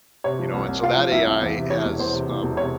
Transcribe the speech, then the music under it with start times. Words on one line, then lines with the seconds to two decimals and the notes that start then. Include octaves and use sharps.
you know? And so, that AI has, um
0.24 C3 C#5
0.39 F3
0.53 C2
0.68 C2
0.83 C3 F4 F5
0.98 F3
1.12 C2 E4 E5
1.26 C2
1.42 E2
1.56 C3
1.70 E3 C#5
1.84 E1
1.99 E2 C5
2.13 C3
2.29 E3
2.43 E1
2.57 C3 C#5